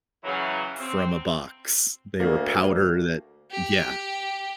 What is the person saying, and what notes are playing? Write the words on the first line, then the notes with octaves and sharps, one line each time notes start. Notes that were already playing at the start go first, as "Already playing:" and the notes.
from a box. They were powder that yeah.
C#3 E3 F#3
C4
D2 A#3
G4